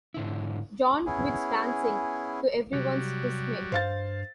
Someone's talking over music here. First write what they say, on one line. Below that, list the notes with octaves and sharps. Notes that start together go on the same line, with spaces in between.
John quits dancing, to everyone's dismay.
G#2 D3 E4
B3 C#4 E4 G#4
C3 F#3 G3
G2 C5 F5 A6